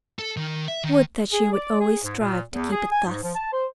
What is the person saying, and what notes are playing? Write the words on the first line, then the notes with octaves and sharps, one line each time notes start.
Would that she would always strive to keep it thus.
A4
D#3
E5
D#3
G#4
D5
G#4
G#2
A#2
E2
G#4
G#5
G#2
F3
A5
C5